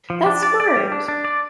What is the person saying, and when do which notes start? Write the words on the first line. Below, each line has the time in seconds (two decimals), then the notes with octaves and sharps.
That's smart.
0.10 F3
0.26 D4
0.43 D5
0.60 D5
0.76 G3
0.92 D4
1.08 D4
1.25 D5